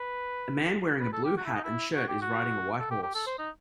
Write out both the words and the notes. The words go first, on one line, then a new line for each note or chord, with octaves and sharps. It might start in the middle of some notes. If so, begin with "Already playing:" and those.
A man wearing a blue hat and shirt is riding a white horse.
Already playing: B4
B4
A4
G4
F#4
E4
D#4
E4
F#4
G4
F#4
A4
G4
G4
A4
C5
D#4